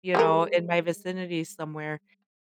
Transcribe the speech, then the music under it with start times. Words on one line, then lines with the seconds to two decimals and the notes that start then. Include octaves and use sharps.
you know, in my vicinity somewhere,
0.15 G3 G#3 A#4